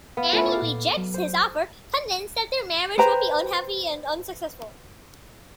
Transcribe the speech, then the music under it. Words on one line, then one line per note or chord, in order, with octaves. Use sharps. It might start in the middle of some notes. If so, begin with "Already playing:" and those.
Anne rejects his offer, convinced that their marriage would be unhappy and unsuccessful.
B3 F5
A3 C#4 E4 F4
D5 F5
A#2
F#3
C5
B4 C5 G5 A#5